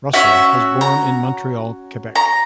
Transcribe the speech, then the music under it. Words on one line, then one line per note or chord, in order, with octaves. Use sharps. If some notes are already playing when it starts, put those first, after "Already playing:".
Russel was born in Montreal, Quebec.
C#4 F#4 E5
A#5
A#5